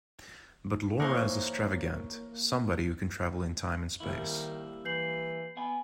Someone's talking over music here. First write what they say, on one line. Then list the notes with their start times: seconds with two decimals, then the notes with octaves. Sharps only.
But Laura is a Stravagante, somebody who can travel in time and space.
1.00 E3 F3 A#3 A#4 C5 C#5 F#5
4.00 D#3 G3 A#3 E4
4.85 E3 G6 C7 F#7
5.57 B3 F#5 G#5